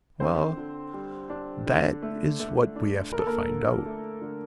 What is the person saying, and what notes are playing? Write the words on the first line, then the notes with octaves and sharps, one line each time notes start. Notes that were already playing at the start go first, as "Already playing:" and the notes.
"Well, that is what we have to find out."
D3 C4 C5
D3
G3
D4
D3
A3
A3
D4
D3 A#4
A4
A#3 A#4
D3
A3
D3